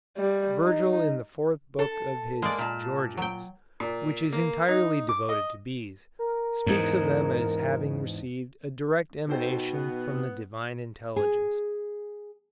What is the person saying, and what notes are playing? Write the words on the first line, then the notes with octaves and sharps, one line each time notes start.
Virgil in the fourth book of his Georgics, which is entirely devoted to bees, speaks of them as having received a direct emanation from the Divine Intelligence.
G3
D#4
A4
G#3 A#3 D5
A#2 A5
F#3 G5
A#2
A#3
D#4
D6
D#5
A#4
E2 G#2
B2 D#4 A4 C5 G5
B3
G#4